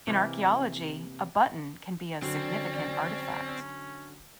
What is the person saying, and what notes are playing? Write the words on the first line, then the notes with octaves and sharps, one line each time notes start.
In archaeology, a button can be a significant artifact.
C3 E3 A#3
D3 F#3 C4 C#4 D5